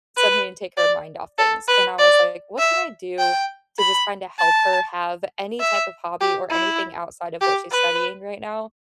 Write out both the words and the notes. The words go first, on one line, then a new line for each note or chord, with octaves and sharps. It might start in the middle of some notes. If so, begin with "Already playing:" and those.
something to take her mind off things, and I was like, "What can I do, to just kinda help her have any type of hobby or anything outside of what she's studying right now?"
B4
D5
A4
B4
D5
E5
G5
B5
A5
E5
G4
E4
G4
B4